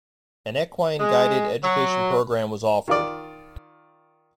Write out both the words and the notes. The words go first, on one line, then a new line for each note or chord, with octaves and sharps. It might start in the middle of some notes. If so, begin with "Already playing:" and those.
An equine-guided education program was offered.
G#3
F#3
D#3 F4 D5